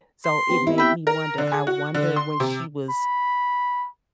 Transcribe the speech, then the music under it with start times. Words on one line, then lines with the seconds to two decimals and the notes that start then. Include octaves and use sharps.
so it made me wonder. I wonder when she was
0.25 C6
0.49 B3 C4 G4
0.67 E4
0.78 E5 G5 B5
1.07 A#4
1.38 D3
1.52 G#4
1.67 F#4
1.94 D3
2.16 C6
2.40 C3
2.90 B5